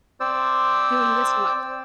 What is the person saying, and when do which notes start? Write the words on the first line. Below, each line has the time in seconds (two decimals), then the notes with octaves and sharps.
doing this much.
0.20 C4 C5 D5 E6